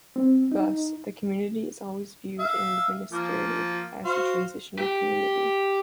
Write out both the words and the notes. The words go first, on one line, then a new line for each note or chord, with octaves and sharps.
Thus, the community is always viewed and administrated as a transitional community.
C4
D#4
E5 F5
F3 A#3
F#4 C5 F5
G4